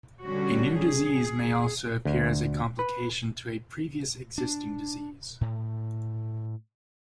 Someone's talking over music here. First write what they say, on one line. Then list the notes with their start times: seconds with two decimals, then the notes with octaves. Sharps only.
A new disease may also appear as a complication to a previous existing disease.
0.24 D3 G3 C#4 F#4
0.79 G#4
2.05 D2
2.79 B4
4.38 D4
5.41 A2